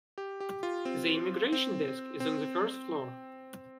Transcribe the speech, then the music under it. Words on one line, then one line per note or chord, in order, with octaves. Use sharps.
The immigration desk is on the first floor.
G4
G4
F4
C4
C4
C4